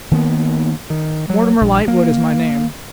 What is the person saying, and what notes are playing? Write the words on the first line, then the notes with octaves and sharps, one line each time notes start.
'Mortimer Lightwood is my name.
D#3 A#3 B3
D#3
F#3
A#1
A#3